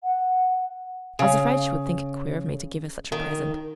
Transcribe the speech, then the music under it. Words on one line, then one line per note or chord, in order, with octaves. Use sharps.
I was afraid she would think it queer of me to give her such a present.
F#5
C#3
D#3